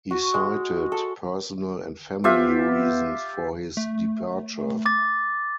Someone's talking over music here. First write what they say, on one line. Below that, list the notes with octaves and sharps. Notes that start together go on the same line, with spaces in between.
He cited personal and family reasons for his departure.
F#4
G#3
A4
B3 F4 G4 E5
A3
D6 A6